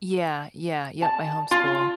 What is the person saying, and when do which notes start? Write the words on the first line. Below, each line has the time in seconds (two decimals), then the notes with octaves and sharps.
Yeah, yeah yep, I homeschool.
1.02 A5
1.51 F4